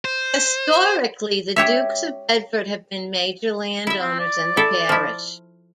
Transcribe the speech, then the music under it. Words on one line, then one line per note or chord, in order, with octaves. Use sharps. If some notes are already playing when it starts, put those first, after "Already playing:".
Historically, the Dukes of Bedford have been major land owners in the parish.
C5
G4 C#5 E5
E4 E5
C4
D5
E4 A4
F3 E4